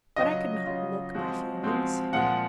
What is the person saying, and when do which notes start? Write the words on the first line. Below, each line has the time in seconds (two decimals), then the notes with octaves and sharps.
But I could not look my feelings.
0.16 C#3 F#3 C#4 F4 D#5
0.65 C#3 F#3 C#4 F4
1.14 F3 G#3 C4 F#4
1.63 F3 G#3 C4 F#4
2.12 A#2 F3 G#3 F#5